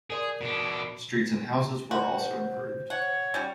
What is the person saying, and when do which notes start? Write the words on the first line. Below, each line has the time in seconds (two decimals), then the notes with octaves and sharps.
Streets and houses were also improved.
0.10 G#4 A#4 D5 C6
0.41 B2 D4
1.91 F#4 C5
2.90 C#5 F#5
3.34 G3 C#4 F#4 G5